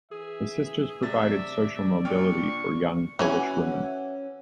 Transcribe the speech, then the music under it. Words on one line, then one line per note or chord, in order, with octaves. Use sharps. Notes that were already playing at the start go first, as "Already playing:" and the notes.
The sisters provided social mobility for young Polish women.
E3 G#4 E5
C3 A3 D5 E5 A6
A#2 D4 G5 C#6 F6
E3 C#4 F#4 E5 F#5 G#5